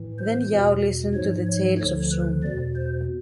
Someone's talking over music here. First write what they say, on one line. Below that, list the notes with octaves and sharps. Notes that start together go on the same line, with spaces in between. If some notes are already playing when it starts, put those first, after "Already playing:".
Then Yao listened to the tales of Shun.
Already playing: A2 E3
C5
E2 B2
G#2 F3 C#5
C#5
D2 D3 F3 C#5
B4
E2 B2 D5
C5